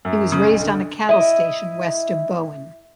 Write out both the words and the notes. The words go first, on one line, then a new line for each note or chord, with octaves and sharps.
He was raised on a cattle station west of Bowen.
F#2
C#3
B1
D3
E4 D#5